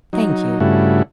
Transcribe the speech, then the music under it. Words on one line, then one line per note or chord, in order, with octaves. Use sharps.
'Thank you.
F#3 D#4
G2 C#3 A3 E4 F#4